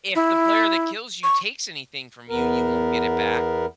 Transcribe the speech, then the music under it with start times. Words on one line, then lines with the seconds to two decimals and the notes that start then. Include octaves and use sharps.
If the player that kills you takes anything from you, you won't get it back.
0.15 E4
1.23 C#6
2.28 E2 B3 A#4